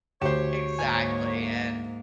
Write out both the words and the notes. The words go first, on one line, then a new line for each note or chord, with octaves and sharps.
Exactly, and
D2 G4 C5 C#5 E7
G#2 A#3 G#5